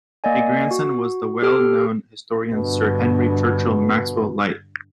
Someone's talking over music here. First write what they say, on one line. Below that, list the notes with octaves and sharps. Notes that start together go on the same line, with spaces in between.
A grandson was the well known historian Sir Henry Churchill Maxwell-Lyte.
A#3 D5 D#5 G#5
F#4
G4 A4 F6 D7
G2 B2 D3